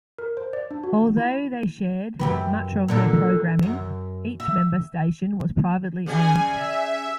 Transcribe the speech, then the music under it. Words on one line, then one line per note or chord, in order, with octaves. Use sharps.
Although they shared much of their programming, each member station was privately owned.
A#4
C5
D5
D4
F#4
E4
F#2 G4 B4
A#2 D3 D4
F#2
E5
C#3 G3 G#4 G#5
E5